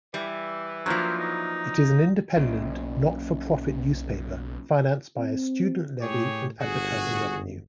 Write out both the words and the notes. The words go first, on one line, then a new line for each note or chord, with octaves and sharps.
It is an independent, not-for-profit newspaper financed by a student levy and advertising revenue.
E3 G3
F3 F#3 A#3 D4 E4 C5
D#4
B1 F#2 A#2 C#3
C4
A2 G4 G#4 C#5
G1 F#4 G#4